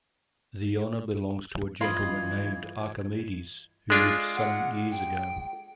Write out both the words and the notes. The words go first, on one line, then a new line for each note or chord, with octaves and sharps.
The honour belongs to a gentleman named Archimedes, who lived some years ago.
G2 E3 F4 D#5 B5 C6 G#6
G#3 D4 F4
F#5
G5